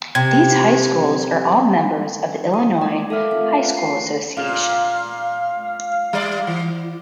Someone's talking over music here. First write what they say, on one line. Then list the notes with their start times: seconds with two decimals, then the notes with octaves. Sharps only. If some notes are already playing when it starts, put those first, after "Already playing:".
These high schools are all members of the Illinois High School Association.
0.15 C3 G#6
2.54 D#6
2.82 D5
3.10 A4 A#4 E5 F5 D6 F6
3.31 C4 F4 E5 F5
3.59 F4 B4 F5 F#5
3.77 A5 C7
4.37 A#2 F5
6.13 G3 D5
6.47 E3